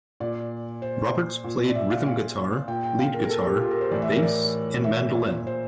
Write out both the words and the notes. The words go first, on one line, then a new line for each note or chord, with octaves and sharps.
Roberts played rhythm guitar, lead guitar, bass, and mandolin.
A#2 D5
C5
A#2
D5
E5
F5
F5
A#2 G5
G5
F5
A#4
A#4
A4
A4
G4
F4
A#4
C5
A2 E3 D5
E5
A#4
D5
E5
A#2
C5